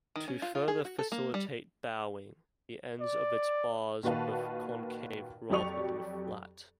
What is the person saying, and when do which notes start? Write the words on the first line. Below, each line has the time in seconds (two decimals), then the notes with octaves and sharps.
To further facilitate bowing, the ends of its bars were concave rather than flat.
0.16 D#3
0.28 C#4
0.42 F4
0.55 F4
0.68 G#4
0.85 F#4
0.99 A4
1.12 A#3
1.34 G3
3.00 D5
4.03 A#2 D#3 F#4 B4 F5 A5
5.49 F2 F#3 G4 D5 C#6 F7